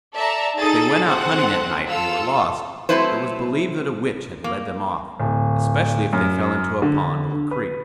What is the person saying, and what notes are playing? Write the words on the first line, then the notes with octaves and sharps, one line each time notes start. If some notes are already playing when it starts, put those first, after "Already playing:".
If they went out hunting at night and were lost, it was believed that a witch had led them off, especially if they fell into a pond or creek.
A4 D5 E5 A5 A#5
D#4 G#4 A4 D#6 A6
C4 A4 F#5
F4 A4 E6
F#3 A3 C4 E4 B4 C5
A#3
D1
F#2
D3
B4